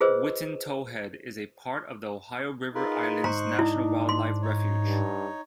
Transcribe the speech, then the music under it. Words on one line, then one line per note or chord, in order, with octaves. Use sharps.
Witten Towhead is a part of the Ohio River Islands National Wildlife Refuge.
F4 G#4 B4 C5 D#5 E6
D#4 F4 G#4 A#4 B4
G#2 C5 A#5 C#6 F#6
D4 E4
C6
D#4 C#5
G2